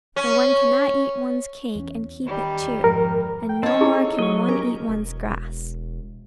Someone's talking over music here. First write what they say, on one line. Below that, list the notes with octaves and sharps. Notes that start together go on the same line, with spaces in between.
For one cannot eat one's cake and keep it too; and no more can one eat one's grass.
C#4
E2 C#4
D#3 G3
F2 G#2 F3 A#4
G5
C4 C#4 D#4 C#5 A5
E4 G#4 A4
F#3 D#5 C#6
C#4 G4 A#4 A#5
E1